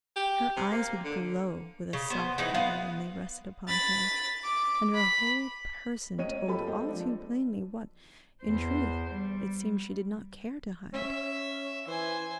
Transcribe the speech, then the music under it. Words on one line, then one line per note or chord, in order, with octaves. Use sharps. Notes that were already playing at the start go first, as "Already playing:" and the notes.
Her eyes would glow with a soft fire when they rested upon him, and her whole person told all too plainly what, in truth, it seemed she did not care to hide.
G4
C3
A#3
D3
C#3
B3 C5
E3 G#3 D#4 F#5
B3 F5 F#5
B5 A6
D6
B5
C#2 C#5 D#5 D#7
F#2 F4 G4 A4 A5 B5
G#3 A#3 A4 C5 D#5
F3 C4 D4
E2 C5
G3
C#4 E5
E3 C5 G#5